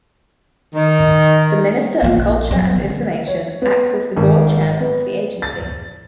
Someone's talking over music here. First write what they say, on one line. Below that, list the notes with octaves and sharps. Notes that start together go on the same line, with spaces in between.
The minister of culture and information acts as the board chairman of the agency.
D#3
A#3 F4
A#1
F#3 G3
D3
C#5
B3
G#1
B3
A6